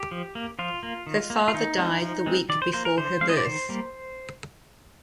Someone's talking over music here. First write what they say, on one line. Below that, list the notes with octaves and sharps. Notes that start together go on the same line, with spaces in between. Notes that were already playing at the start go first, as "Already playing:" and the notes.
Her father died the week before her birth.
Already playing: G4
F3
A#3
F3 F4
A#3
D#3
A#3
F4
D#3 D#4
G#3 C4
F3
G#3 C4
D#3 D5
C5
A#3 C5
A#4
D3 C5
F3 G#3 C4 F5
D#5
D5
D#3 C5
G3 A#3